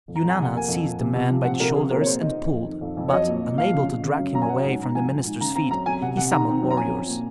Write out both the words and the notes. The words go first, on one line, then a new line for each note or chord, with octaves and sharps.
Eunana seized the man by the shoulders and pulled, but, unable to drag him away from the minister's feet, he summoned warriors.
F2
A#5
F2
G#5
C3 F#5
A#3 G#5
F2
F3
C3
C3
F3
C4 F#5
C3 A#4
F3 G#4
A#2 A#4
C#5
A#2 C5
D#3 D#5
C4
F2
D#3
F2
F2
C#5
F#3 D#5
A#2
A#2
F3 F5
C#3
C#3
C#3
F#2
F#2 A#5
G#5
F#3 F#5
G#2
G#2 A#5
F3 G#5
G#2
G#2
C#3 A#5
C4 A#5
F#2 A#5
F#3 G#5
C3 F#5
C3 F#5
D#3 A#5
C4
F#2
A#5
F3 G#5
C4
A#2